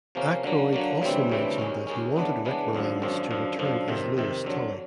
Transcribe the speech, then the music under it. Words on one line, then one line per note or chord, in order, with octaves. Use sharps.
Aykroyd also mentioned that he wanted Rick Moranis to return as Louis Tully.
C3 F3 A#3 C#4
D3 F#3 A#3
D3 F#3 A#3
D2 C#3 E3 G3 C4
D2 C#3 E3 G3 C4
D#2 D#3 G#3 C#4
D#2 D#3 G#3 C#4
C#3 E3 G#3 B3 D4
C#3 E3 G#3 B3 D4
G#1 F#2 D3 F3
G#1 F#2 D3 F3
F#2 D3 F3
F#2 D3 F3
F2 C3 D#3
F2 C3 D#3
F2 D3 F#3